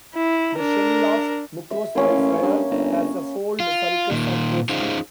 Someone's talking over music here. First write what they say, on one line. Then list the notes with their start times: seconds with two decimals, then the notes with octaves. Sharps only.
The shell of "Mucrospirifer" has a fold, sulcus and costae.
0.14 E4
0.57 D4 A#4
1.71 E5
1.95 A1 A#3 C#4
2.42 G2
2.71 G1
3.60 F4
4.11 A#2 D#3
4.69 C#4 D#4 F4 G#4 C5